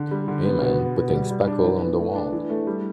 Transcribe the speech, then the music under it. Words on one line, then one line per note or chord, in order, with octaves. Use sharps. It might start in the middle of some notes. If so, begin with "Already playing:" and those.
A man putting spackle on the wall.
Already playing: D3
G3
D3
B3
B2
B3
B2
G3
G3
D4
E3
B3
A3
D4
E3
A3
G3